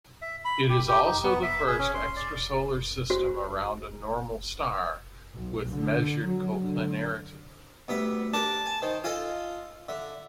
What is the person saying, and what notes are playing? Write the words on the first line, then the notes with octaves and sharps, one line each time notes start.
It is also the first extrasolar system around a normal star with measured coplanarity.
E5
B5
G4
G4
D#4
B3
E5
G#4
C#4
C6
D5
F#4 C5
B1
D3
F#3
D3
D2 G3 B3 E5
D4 G4 A#4 A5
G#5
D#3 C5
F4 A4 D#5 G#5
D3 E5